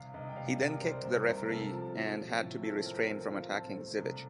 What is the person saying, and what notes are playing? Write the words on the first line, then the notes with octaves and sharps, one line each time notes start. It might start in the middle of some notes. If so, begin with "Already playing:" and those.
He then kicked the referee and had to be restrained from attacking Zivic.
Already playing: C2 F5
C2 D#5
G5
G3 F5
C2 D5
A#4
C2 C5
C2 C5
C2 A#4
C3 A4
F3
F3
F3
A2
C4 A4
C4 A#4
C4 A#4
F3 F5
C4 A5
A3
C2